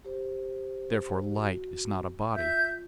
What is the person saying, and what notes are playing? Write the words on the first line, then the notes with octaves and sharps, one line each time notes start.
Therefore light is not a body.
G4 C5
F#4
F4 E5 G6